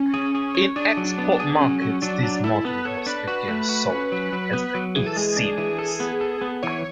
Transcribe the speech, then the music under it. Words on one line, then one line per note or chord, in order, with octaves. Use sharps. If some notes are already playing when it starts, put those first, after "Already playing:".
In export markets this model was again sold as the E-series.
Already playing: C#4
G#4
G#4
C#5
D4 G#4
F#3
D4
B3
D4
G#4
F#3 C#4
F#3
F#3 D4
F#3
E4 A4
B3 B4
A4 C#5
D4 B4
F#4 B4
A3
F#4
C#4
F#3
F#3
B3
F#3
E3 G#4
A4
G#3 G#4
D4
E3
A4
B3
A4
B3
E3 C#5